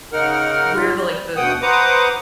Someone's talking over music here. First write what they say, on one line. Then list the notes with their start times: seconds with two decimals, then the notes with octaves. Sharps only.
where the, like, the
0.13 C#3 D#4 A#4 F#5 F6
0.76 G#2 F#3 F4
0.99 G3
1.36 D2 B2 F#5 G5 D#6
1.62 B4 C5 F#5 A#5 D6 D#6